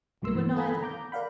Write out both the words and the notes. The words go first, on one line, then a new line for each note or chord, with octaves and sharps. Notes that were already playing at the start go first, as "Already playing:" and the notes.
They were neither.
C2 G2 F#3 A3 C6 E6
E3
A4 F5 G#5 A#5 B5
A#5 D6 G6
A#4 D5 F5 F#5 B5